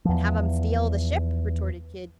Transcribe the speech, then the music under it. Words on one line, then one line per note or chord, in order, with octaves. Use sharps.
"And have them steal the ship!" retorted Kidd.
E2 F3